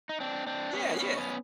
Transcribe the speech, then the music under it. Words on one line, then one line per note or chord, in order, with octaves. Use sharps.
Yeah, yeah.
D#4
C4 D4
C4 D4
B3 C#4
B3 C#4
B3 C#4